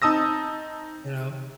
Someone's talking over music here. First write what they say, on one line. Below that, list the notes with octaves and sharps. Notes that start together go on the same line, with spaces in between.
You know?
C4 D#4 A5 D#6 E6 A#6